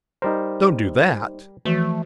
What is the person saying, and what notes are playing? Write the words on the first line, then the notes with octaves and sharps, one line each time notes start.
"Don't do that!"
G3 D#4 A#4 C5
E3 F3 A3 F#4